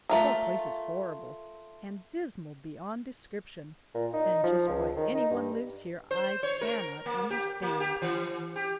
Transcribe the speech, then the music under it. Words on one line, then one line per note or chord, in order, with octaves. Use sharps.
The whole place is horrible, and dismal beyond description, and just why anyone lives here I cannot understand.
A3 F4 A#4
A#2
D#4
F3
C#2
D#3
D#4
G2
C5
C#5
A#4
A#3
G4
A#3
G4
E3
G4